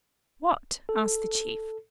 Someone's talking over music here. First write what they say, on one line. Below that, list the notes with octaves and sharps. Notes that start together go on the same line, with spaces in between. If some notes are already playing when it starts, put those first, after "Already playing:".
"What?" asked the chief.
A4